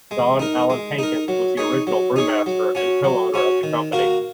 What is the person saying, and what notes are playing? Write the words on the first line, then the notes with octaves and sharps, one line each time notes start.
Don Alan Hankins was the original brewmaster and co-owner of the company.
G#3
D#4 A#4
G#3
D#4 A#4
F#3
D#4 G#4 C#5
F#3
D#4 G#4 C#5
F#3
C#4 F#4 C#5
F#3
C#4 F#4 C#5
D#3
A#3 F#4 A#4